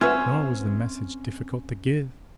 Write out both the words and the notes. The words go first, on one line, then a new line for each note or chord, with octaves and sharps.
Nor was the message difficult to give.
C4 C#4 F4 B4 C5 E5 F#5